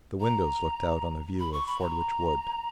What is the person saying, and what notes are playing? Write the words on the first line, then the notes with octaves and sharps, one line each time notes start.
The windows looked out on a view of Fordwitch Wood.
A#5
B5
C#6
B5
A#5